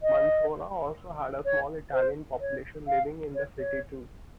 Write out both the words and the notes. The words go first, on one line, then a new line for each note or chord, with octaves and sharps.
Mansoura also had a small Italian population living in the city too.
D#5
C#5
C5
C#5
F5
C#5
C#5